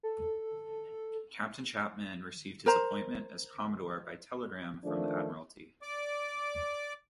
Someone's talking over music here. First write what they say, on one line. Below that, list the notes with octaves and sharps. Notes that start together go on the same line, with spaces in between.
Captain Chapman received his appointment as Commodore by telegram from the Admiralty.
A4
A#4 C5 A#5
D#3 F3 A3 D4
D5 D6